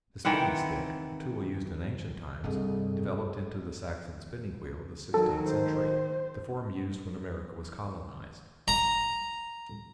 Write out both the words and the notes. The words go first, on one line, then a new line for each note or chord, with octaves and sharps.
The spinning-stick, a tool used in ancient times, developed into the Saxon spinning-wheel of the sixteenth century, the form used when America was colonized.
D#3 E3 C4 F#5
C2 G2 C4 G#4 A4 D#5
D#3 F#3 A4
C5
A#5